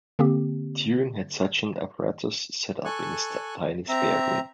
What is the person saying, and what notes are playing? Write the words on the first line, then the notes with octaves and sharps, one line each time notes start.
Turing had such an apparatus set up in his tiny spare room.
D3 A#3 C4 G4
A4 G#5 C#6 F#6
C4 E5 A#5